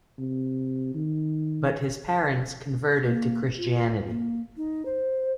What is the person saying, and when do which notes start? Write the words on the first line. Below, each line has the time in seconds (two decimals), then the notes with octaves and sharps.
But his parents converted to Christianity.
0.18 C3
0.94 D#3
3.03 A#3
3.58 F4
4.09 A#3
4.57 D#4
4.86 C5